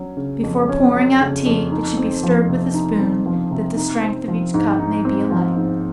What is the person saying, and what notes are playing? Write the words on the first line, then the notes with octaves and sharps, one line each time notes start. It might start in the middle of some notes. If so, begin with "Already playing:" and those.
Before pouring out tea, it should be stirred with a spoon that the strength of each cup may be alike.
Already playing: F#3 C#4
C#3
F2
C#4
F#3
C#3
F2
D#4
C4
F3
C3
D#4
C4
F3
C3
D#4
C4
F3
G#2
D#4
C4
F3
G#2